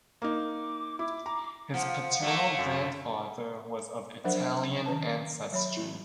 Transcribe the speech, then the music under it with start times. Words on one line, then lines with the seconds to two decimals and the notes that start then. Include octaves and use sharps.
His paternal grandfather was of Italian ancestry.
0.22 A#3 D#4 D6
0.99 E4 D6
1.26 A#5
1.74 F3 F#5
2.22 A3 A#3
2.58 F#2
4.24 F3 F#3 D4 A#4 C5 F#5
4.86 D#3 C#4 B4 A5
5.52 F#3 C#5 B5
5.77 E4